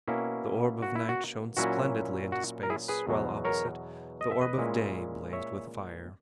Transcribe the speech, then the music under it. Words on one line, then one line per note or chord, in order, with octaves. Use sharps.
The orb of night shone splendidly into space, while opposite, the orb of day blazed with fire.
B2 A#3 C#4 E4
F#4
E4
F#4
A#2 F#3 C#4 E4 F#4
F#4
A#4
E4 G#4
G#4 B4
E2 B2 F#3
A#4 C#5
D#5
E5
B4 D#5
A#2 G#3 C#4 E4
C#5 E5